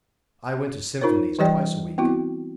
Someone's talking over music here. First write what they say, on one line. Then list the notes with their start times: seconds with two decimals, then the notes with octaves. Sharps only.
I went to symphonies twice a week.
1.01 D#4 F4 A#4 C5 C#5
1.39 E3 G3 G4 C#5 D5 G5
1.98 B3 C4 E4 F#4